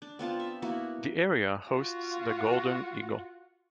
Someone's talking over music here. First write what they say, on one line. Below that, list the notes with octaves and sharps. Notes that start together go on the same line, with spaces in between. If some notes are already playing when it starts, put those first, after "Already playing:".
The area hosts the golden eagle.
D4
B3 C4 F4 A5
E5
A#3 B3 E4 F#4
F4 F#4